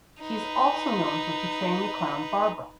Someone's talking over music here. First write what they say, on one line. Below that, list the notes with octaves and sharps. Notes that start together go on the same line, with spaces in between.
She is also known for portraying the clown Barbara.
D#4 B4